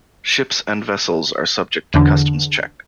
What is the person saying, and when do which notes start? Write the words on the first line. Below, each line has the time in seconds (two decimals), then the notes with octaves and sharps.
Ships and vessels are subject to customs check.
1.94 E2 D3